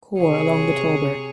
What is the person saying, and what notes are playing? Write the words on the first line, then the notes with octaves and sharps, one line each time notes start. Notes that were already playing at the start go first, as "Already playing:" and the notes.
Corps along the Tauber.
C3 G#4 C#5